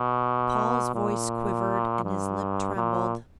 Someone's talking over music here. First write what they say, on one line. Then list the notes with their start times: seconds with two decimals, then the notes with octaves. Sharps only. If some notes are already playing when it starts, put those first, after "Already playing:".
Paul's voice quivered and his lip trembled.
Already playing: B2
0.95 A#2
2.04 G2
2.76 A#2